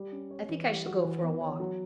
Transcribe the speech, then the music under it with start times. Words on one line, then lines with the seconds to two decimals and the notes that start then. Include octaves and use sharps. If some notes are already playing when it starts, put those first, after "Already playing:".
"I think I shall go for a walk."
Already playing: G3
0.12 C#4
0.31 C#5
0.49 E3
0.68 G3
0.86 F#4
1.05 E3
1.23 B3
1.41 C#5
1.60 F#3